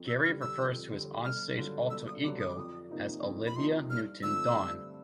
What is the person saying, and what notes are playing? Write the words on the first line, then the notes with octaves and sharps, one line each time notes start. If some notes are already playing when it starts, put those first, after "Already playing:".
Gary refers to his onstage alter-ego as "Olivia Newton-Dawn".
Already playing: F2
E6
D3 G3 F6
E6
F2
D3 G3
G1 F6
G2 D3 F#3
G1 E6
D#6
G2 D3 F#3 D6
D#6
D6
F2 D#6
C3 F3 A#3 D#4
F2
B5
C3 F3 A#3 D#4 C6
G2 F6
D3 F3 A3 C4 E6
G2